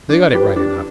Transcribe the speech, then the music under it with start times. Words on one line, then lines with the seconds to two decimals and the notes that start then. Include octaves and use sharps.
They got it right enough.
0.09 D4
0.33 G4 B4
0.56 D4